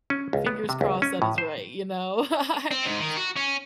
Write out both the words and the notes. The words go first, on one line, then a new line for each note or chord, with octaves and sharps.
fingers crossed that it's right, you know? I
C#4
C#2
B3
C3
C#2
C#4
A2
C5
C4
G#2
D#3
F#4
C#4